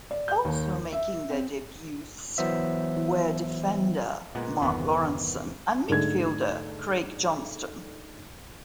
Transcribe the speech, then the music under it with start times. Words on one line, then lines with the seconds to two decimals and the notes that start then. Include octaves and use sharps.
Also making their debuts were defender Mark Lawrenson and midfielder Craig Johnston.
0.11 D5
0.28 G6
0.45 D#2
0.92 E5
1.30 C4
2.38 E3 F#3 B3 C5 E5
4.35 A#2 G#3 B3 F#5
4.60 G1 E2 C3 D#3 B3 F#5
5.89 G#2 D3 A3 G#6